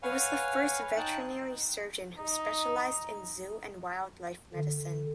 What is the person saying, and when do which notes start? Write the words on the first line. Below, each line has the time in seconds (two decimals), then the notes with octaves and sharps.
He was the first veterinary surgeon who specialized in zoo and wildlife medicine.
0.03 B4 C#5 F5 F#5 G#5
0.97 D#4 G5 A5 F#6
2.18 D#4
4.55 D3